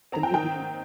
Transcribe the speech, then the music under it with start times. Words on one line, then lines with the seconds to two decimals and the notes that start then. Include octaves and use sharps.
the movie.
0.12 C4 A#5
0.23 G5
0.34 D#3 G5